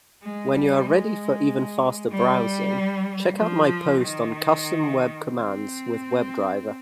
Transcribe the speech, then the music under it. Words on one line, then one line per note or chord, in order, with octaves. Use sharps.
When you are ready for even faster browsing, check out my post on Custom web commands with WebDriver.
G#3
G3
G#3
G3
F3
D#3
C4